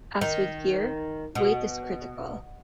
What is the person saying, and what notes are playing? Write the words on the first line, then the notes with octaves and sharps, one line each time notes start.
As with gear, weight is critical.
D#3
B2